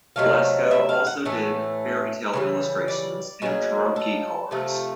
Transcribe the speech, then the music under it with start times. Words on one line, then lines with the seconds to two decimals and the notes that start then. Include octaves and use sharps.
Blasco also did fairy tale illustrations and tarrocci cards.
0.16 C3 D#3 F#3 A3 F5
0.71 E5
0.89 F5
1.07 F#5
1.25 A2 E3 A3
2.33 C#3 E3 G3
2.88 D5
3.42 B2 F#3 A#3 G#4
3.96 A4
4.51 C3 F3 A3